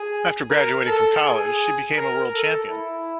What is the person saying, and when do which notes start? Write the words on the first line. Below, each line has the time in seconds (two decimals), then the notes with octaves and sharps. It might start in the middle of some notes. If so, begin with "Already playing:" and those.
After graduating from college, she became a world champion.
Already playing: G#4
0.50 A#4
0.87 A4
1.22 G#4
1.97 A#4
2.33 A4
2.70 E4